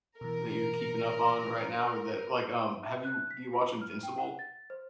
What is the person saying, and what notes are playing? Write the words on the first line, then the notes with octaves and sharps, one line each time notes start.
that you're keeping up on right now or that like, um have you do you watch Invincible?
B2 E3 A#4
E5
F#6
B6
F4
F6
G5
F#5
A6
C5